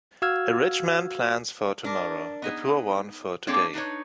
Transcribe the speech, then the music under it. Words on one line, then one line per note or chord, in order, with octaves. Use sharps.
A rich man plans for tomorrow, a poor one for today.
F#4 F5 E6 F6 G#6
D4 A#4
B3 D#4 G#4
A#3 C4 D4 G#4 A4 C#5
D4 D#4 B4 C#5